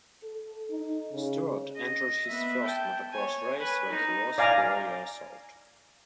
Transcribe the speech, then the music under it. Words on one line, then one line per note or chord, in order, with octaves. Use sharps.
Stewart entered his first motocross race when he was four years old.
A4
D#4
C#3
D#5
B3 E5
G5 A5
C#5 G#5
B4 G#5
D#4
D5 F5 G#5 A#5